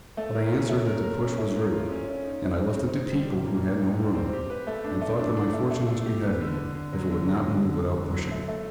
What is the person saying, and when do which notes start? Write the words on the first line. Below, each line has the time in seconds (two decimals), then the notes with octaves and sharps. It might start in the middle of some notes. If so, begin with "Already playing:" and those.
But I answered that to push was rude, and I left it to people who had no room; and thought that my fortune must be heavy, if it would not move without pushing.
0.17 A3
0.35 A#4
0.52 C#4
0.69 A3
0.86 A#4
1.03 A#4
1.22 C#4
1.38 A3
1.56 A#4
1.73 F4
1.91 C#4
2.08 C#4
2.25 D#4
2.43 C4
2.60 C4
2.77 D#4
2.94 C4
3.11 G3
3.29 A#2
3.47 A#2
3.63 G3
3.81 D#4
3.98 G3
4.15 C4
4.33 G4
4.50 B4
4.67 A3
4.84 D4
5.02 A3
5.19 D4
5.37 D4
5.54 A3
5.71 A3
5.89 A3
6.06 G4
6.23 B4
6.41 D3
6.58 D3
6.75 D3
6.93 F#3
7.09 D3
7.27 F#3
7.44 D3
7.62 D3
7.78 D3
7.97 D3
8.13 F#3
8.31 A3
8.48 A3